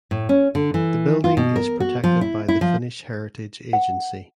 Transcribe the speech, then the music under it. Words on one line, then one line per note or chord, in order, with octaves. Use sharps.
The building is protected by the Finnish Heritage Agency.
A2
C#4
D3
E3
F4
B2
A#4
F#4
F3
E4
E4
F3
F#5